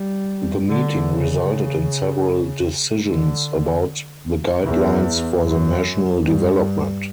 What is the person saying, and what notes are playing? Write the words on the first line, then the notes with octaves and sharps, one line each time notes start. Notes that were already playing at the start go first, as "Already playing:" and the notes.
The meeting resulted in several decisions about the guidelines for the national development.
Already playing: G3
D3
C#3
D3
E2
F#2
G2